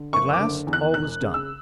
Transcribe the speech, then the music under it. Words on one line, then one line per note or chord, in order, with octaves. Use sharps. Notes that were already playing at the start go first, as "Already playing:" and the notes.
At last all was done.
Already playing: D3
F#1 C#6
D6
D3
E2
F#6
E1 F#6
C#3
E6